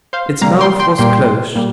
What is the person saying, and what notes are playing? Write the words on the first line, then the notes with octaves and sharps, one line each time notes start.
Its mouth was closed.
C5 F5
C3 G3 A#3 F5 A#5
G5 C6
G5 C6
A#2 G3 A#3 G5 C6
A#2 G3